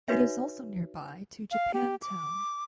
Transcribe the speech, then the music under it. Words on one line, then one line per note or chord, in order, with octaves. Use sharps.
It is also nearby to Japantown.
D#4 F#4 B4 C#5 E5
F5
G4
D6